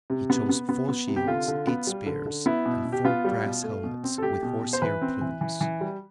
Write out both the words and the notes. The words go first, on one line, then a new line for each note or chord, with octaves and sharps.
He chose four shields, eight spears, and four brass helmets with horse-hair plumes.
C3
B3
B3
B3
B3
C3
G4
D3 F4
D3
B3
G3
D3
D3
B3 E4
B2
B2
G4
B3 F4
G3
B2
A3
B2
C4
A4
A3 G4
B2
B2
C5
E3 B4
C4
E3
E3
E3
G3